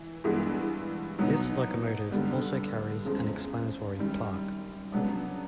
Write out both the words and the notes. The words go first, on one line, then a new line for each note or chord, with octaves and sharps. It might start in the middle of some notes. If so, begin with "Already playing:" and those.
This locomotive also carries an explanatory plaque.
Already playing: E3
G2 E3 G#3 B3
B2 F#3 B3 D#4
G2 D3 G3 B3
E2 C#3 F3 G#3
F#2 D#3 G3
C#3 F#3 B3 D4